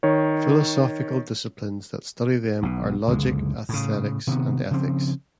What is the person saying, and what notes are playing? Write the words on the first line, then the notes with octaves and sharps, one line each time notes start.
Philosophical disciplines that study them are "logic, aesthetics and ethics".
D#3 C#5
B1 B2
F#1 C#2 D3 G#3
A2 C#3
C3 D#3 B3
C#3 F3 C4